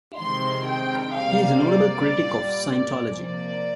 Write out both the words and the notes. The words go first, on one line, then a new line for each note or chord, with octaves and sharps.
He is a notable critic of Scientology.
C3 D#3 G#3 C4 C6
G5
C3 G3 A#3 F5
D5
A#2 G3 A#3
C3 F3 A#3 D5